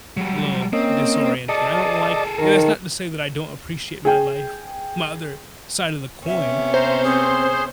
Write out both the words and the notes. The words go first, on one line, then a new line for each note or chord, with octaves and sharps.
li'l disorienting. I don't like" and that's not to say that I don't appreciate my life, my other side of the coin.
F#3 G3
A#3 C4 C#4 D#5
G#4 A4 D5 D#5 A5
D#3 A#4
G#4 G5
C3 B3 C#4 E5
C5 A#5
C4 G#4